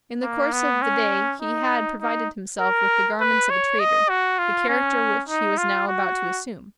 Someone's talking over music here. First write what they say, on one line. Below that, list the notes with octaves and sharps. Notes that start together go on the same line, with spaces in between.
In the course of the day he had provided himself with the garments of a trader, the character which he was now about to assume.
A#3
B3
C#4
D#4
D#4
A#4
B4
C#5
D#5
F#4
F4
C#4
D#4
F4
F#4